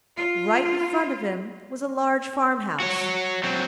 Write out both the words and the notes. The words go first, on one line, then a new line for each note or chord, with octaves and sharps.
Right in front of him was a large farm-house.
F4
F#4 C#5
F#3 C4